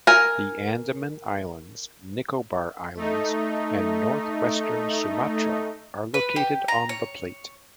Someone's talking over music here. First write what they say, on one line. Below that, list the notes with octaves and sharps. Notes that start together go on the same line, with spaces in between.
The Andaman Islands, Nicobar Islands, and northwestern Sumatra are located on the plate.
A#4 G#5
A3 D#4
B4
G4
A#5
C#5